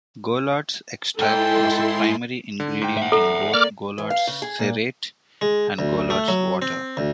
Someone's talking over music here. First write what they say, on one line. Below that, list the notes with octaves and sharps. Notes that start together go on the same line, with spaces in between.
Goulard's Extract was a primary ingredient in both Goulard's Cerate and Goulard's Water.
G#2 E4 A4 G5 C6
D3
G#2 G5
E5 F#5
A4 A#5
A#3 D5 D6 F6
E3
F5
C#3
G#4
A#2
G#3
D2
A3
F#3
C4
D2